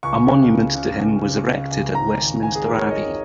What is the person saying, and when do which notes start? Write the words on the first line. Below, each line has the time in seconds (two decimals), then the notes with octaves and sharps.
A monument to him was erected at Westminster Abbey.
0.03 C#2 C#6
0.27 C#3
0.51 C#2
0.75 C#3
0.99 C#2
1.23 C#3
1.47 C#3
1.71 C#2
1.95 G#1 A#5
2.19 D#3
2.43 G#1 G#5
2.55 G#4
2.67 G#1 A#4
2.79 C#5
2.91 G#1 D#5